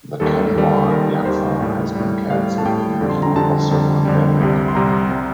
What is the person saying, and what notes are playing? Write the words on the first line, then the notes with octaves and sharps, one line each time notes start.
The Kanwar Yatra has been cancelled in view of the pandemic.
D#2 D#3 G3 A4
A4
D#2 D#3 G3 A#4
D#2 D#3 G3 A#4
D#2 D#3 G3 C5
A2 G3
A2 G3
A2 G3 F5
A5
A2 G3 G5
F2 D3 G3
C6
A#5
F2 D3 G3 A5
F2 D3 G3
F2 D3 G3
C2 C3 G3
C6
C2 C3 G3 A#5
C3 G3